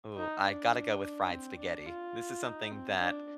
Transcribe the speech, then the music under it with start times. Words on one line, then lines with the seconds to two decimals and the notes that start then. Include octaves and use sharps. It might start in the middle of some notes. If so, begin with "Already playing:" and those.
Ooh, I gotta go with fried spaghetti. This is something that
0.17 D#4
0.45 D4
1.30 C4
1.59 D4
1.87 F4
2.43 D#4
2.72 C4
3.00 D4